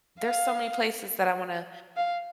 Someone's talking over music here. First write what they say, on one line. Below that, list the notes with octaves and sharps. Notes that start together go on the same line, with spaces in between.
there's so many places that I wanna
F5
F5